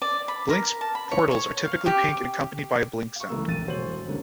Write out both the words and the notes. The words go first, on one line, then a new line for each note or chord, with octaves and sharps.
Blink's portals are typically pink and accompanied by a "Blink" sound.
D5
B5
A#4
A5
B5
C#5
C#5
F5
G4
F5 C#6
C#2 E3 A3 A#3 A#4 E6
A#1 F2 A#3 A6 D#7
E1 F#4 C5 C#5 F#7
C#2 G2 D3 A#3 C#4